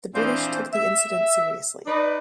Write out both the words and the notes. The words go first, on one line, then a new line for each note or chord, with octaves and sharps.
The British took the incident seriously.
A#2 E3 F3 C4 D4 C5
E5
D#4 B4 D5